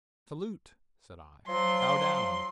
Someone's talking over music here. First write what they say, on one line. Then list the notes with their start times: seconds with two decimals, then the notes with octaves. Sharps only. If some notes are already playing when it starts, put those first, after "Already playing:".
"Salute!" said I. "Bow down!"
1.48 F3 F#3 C6